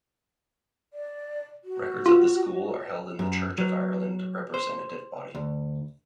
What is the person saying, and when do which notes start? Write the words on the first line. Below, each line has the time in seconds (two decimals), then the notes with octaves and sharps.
Records of the school are held in the Church of Ireland Representative Body.
0.93 D5
1.64 F#4
2.06 F4
3.19 F#2
3.58 F#3
4.54 C5
5.35 D2